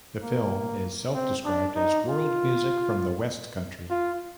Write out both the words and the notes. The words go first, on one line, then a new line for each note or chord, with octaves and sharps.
The film is self-described as "world music from the West Country".
A#3
C4
D4
D#4
F4
F4